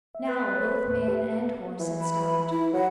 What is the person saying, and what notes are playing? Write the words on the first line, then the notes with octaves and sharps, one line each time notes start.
Now both man and horse had stopped.
E5
B4 A6
C5 C#5
D#2 A2
G4 B4 E5
E3
B5
E4
F#3 F#5